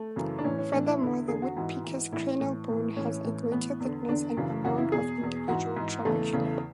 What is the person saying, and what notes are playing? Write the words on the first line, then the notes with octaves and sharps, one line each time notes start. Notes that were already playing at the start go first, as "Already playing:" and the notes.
Furthermore, the woodpecker's cranial bone has a greater thickness and amount of individual trabeculae.
Already playing: A3
F#2 C#3 E3
D4
A2 E3 C#4
C#4
A2 E3 D4
E4
E2 D3
E2 D3 G#4
F#4
G#2 E3 F#4
G#2 E3
A2 E3 E4
A2 E3
A2 E3
A2 E3 C#4
A2 E3
A2 E3 B3
E2 D3
E2 D3 D4
F#2 C#3 E3
F#2 C#3 E3 F#4
E4
E2 B2 G#4
E2 B2
G#2 E3 F#4
G#2 E3
E2 C#3 E3 A3
E2 C#3 E3